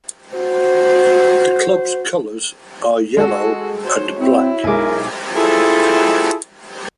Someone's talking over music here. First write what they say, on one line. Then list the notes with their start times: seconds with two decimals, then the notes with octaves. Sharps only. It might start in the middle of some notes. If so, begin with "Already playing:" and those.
The club's colours are yellow and black.
0.36 F#4 C5
3.17 G#3 F#4 A4
3.84 F#4 C5 C#5
4.19 C4 E4
4.64 B1 G#3 A#4 G#5 D6
5.36 E4 F4 G#4 A4